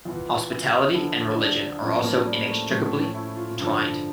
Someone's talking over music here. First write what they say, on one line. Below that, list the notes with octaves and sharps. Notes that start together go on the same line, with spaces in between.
Hospitality and religion are also inextricably entwined.
E2 E3 F4
E4
E2 D3 F3 E4
D4
A2 F3 C#4
A#3
G3
A3
A2 F3 A3
C#4
E4
F4
G2 D3 F3